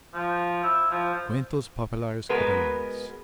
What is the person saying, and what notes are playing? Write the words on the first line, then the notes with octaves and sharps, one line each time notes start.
Cuentos Populars Catalans.
F3
E4
F3
G#3 B3 F#4 A#4 B4